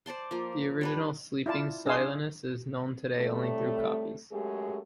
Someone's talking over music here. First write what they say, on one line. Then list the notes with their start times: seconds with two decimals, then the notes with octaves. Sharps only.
The original Sleeping Silenus is known today only through copies.
0.06 C5 D5 A5 C6
0.31 F3 A#3
0.81 G3 D4 B4
1.46 E4 F4 D5 A5
1.86 D4 G#4 F5 G#5 C6
3.16 A2 C3 G3 A3
4.31 F#2 G#3 A3 G4 G#4